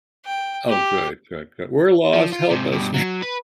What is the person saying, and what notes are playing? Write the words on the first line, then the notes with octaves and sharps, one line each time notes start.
Oh, good, good, good. "We're lost. Help us."
G5
G4
F3
F4
G#2 C3
G2 B2
F#3
B4